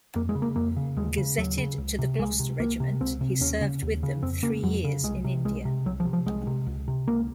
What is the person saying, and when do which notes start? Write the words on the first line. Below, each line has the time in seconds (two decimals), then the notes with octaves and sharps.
Gazetted to the Gloucester Regiment, he served with them three years in India.
0.15 F2 A#3
0.29 G#3
0.35 C#3
0.42 A#3
0.56 F2 A#3
0.76 C#3
0.96 D#2 G#3
1.17 C#3
1.38 D#2 F#3
1.58 C#3
1.78 C#2
1.99 C3
2.19 C#2 G#3
2.40 C3
2.59 C#2 A#3
2.80 C3
3.01 C#2 C4
3.21 C3
3.41 D#2 C#4
3.61 C#3
3.82 D#2
4.03 C#3
4.22 F2 C4
4.43 C#3 A#3
4.63 F2 F#3
4.84 C#3
5.03 C2 G#3
5.24 C3
5.45 C2 G#3
5.65 C3
5.85 C2 F#3
6.00 F3
6.05 C3
6.13 F3
6.26 C2 G#3
6.47 C3
6.67 C#2
6.88 C3
7.08 C#2 A#3